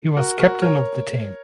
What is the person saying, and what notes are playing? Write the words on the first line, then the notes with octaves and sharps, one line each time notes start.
He was captain of the team.
F#4 A#4
F#4 A#4
A#4 C#5